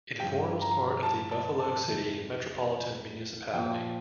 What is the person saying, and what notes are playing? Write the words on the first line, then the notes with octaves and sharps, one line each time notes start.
It forms part of the Buffalo City Metropolitan Municipality.
G2 F3 G5
A#5
A5
A5
A5
F2 E3 G3
A#2 F3 G5